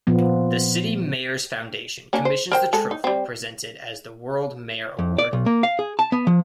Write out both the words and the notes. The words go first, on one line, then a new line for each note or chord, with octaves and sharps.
The City Mayors Foundation commissions the trophy presented as the World Mayor Award.
A#2 F3 B3
A#3 C#4 D4
C5
A#4 C5 G5
G#3 A4
D#4
G3 C4
F2
D5
B1
A#3
F5
G#4
A5
B3
F3